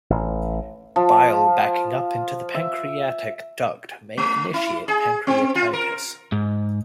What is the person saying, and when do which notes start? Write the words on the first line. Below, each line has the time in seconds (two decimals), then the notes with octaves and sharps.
Bile backing up into the pancreatic duct may initiate pancreatitis.
0.10 A1
0.96 F3
2.54 E5
4.18 A3
4.54 E4
4.88 G#4
5.27 C4
5.55 F4
5.73 A#4
6.32 G#2